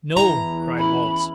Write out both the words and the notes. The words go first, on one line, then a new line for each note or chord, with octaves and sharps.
"No," cried Wallace.
E2 E3 E4 A#5
C#4 E4 D#5 B5